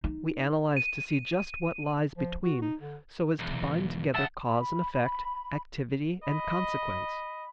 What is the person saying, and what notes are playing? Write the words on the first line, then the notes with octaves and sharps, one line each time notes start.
We analyze to see just what lies between so as to bind together cause and effect, activity and consequence.
D#4
D#7
F3
F#4
D#4
D3
B1 E2
B1 E5 F#5 A5
B5
D#5 B5